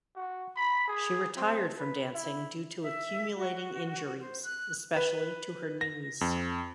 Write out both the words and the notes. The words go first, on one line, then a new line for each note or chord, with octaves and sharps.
She retired from dancing due to accumulating injuries, especially to her knees.
F#4
B5
G#4
C4
B4
E4
E5
F#4
C5
F#6
B4
A#6
F2